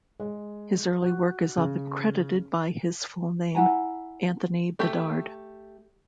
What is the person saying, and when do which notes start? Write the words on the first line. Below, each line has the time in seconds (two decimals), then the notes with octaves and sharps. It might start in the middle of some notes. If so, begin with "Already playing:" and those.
His early work is often credited by his full name - Anthony Bedard.
0.20 G#3
1.02 F#4
1.57 C#3
3.55 E4 F#5 G#5 A#5
4.79 A3 G4